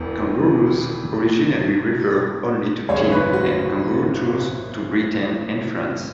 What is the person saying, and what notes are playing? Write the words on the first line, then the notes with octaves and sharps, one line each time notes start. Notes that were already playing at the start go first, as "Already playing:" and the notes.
"Kangaroos" originally referred only to teams on "Kangaroo Tours" to Britain and France.
Already playing: E1 E2 E3
G#1 F#2 C#3 G#3 C#5
B4
F#4